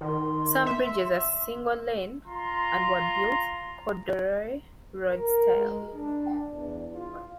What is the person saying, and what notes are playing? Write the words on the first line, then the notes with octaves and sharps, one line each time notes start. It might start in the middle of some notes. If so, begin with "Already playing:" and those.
Some bridges are single lane and were built corduroy road style.
D#3 C6
E5
F4 A#5 C6
A#4
G#3
D4
E2
F4